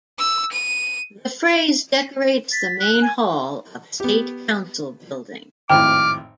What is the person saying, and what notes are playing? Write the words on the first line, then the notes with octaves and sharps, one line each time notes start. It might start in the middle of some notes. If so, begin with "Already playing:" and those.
The phrase decorates the main hall of State Council Building.
E6
D#7
A6 B6
F#6
G#5
B3 G4
G#1 F2 A2 G5 D6 F6